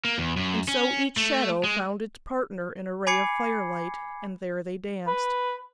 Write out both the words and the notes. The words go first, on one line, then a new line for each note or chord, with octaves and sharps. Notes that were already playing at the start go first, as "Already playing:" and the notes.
And so each shadow found its partner in a ray of firelight, and there they danced.
A#3
E2
F#2
C#4
A3
G#3
G#5 B5 D6 G#6 C7 C#7
B4